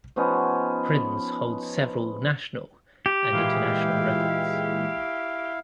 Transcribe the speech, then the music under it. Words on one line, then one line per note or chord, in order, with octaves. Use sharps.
Prinz holds several national and international records.
F3 B3 C#4 D#4
G4
A#2 E3 G#3 E4 F5